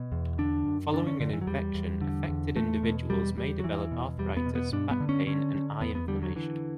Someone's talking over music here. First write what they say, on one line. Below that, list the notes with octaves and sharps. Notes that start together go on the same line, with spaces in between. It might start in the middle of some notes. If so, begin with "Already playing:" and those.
Following an infection, affected individuals may develop arthritis, back pain, and eye inflammation.
Already playing: B2
E2
D3 D4
F#2
D3 D4
C#4
F#2 D3
E3
F#3
E2 G3
E2
D3
E2
E2 A3
B2
E2 G3
E2 G3
F#3
E2 E3
B2
E2 G3
B3
B2
B3
G2 D4
B3
D3
C#4
D3 C#4
D3
E2 B3
B3
D3 G3
F#3
D3 E3